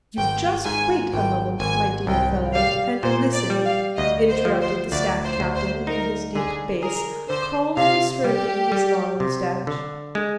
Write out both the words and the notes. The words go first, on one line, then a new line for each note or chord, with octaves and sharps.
"You just wait a moment, my dear fellow, and listen," interrupted the staff captain in his deep bass, calmly stroking his long mustache.
G#1 G5
G#2 G#5
G#1 G5
G#1 G#5
C2 G5
G3 F5
A#2 C5
D5
G3
F5
D2 D#5
C5
F3
C5
D2 D5
C5
D2
C5
D#4 A#4
D3 G#4
G#4 A#4
D3 C5
C3 F5
G3 G4
G3
C3
D3
G#3